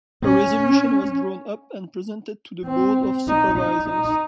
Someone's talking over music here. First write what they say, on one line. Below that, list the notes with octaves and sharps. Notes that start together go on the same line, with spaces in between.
A resolution was drawn up and presented to the Board of Supervisors.
C#4
C4
D#4
D#4
D#4